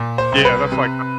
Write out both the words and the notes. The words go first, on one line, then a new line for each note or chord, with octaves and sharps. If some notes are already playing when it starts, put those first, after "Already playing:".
Yeah, that's like
Already playing: A#2
C5
C2
B4
C3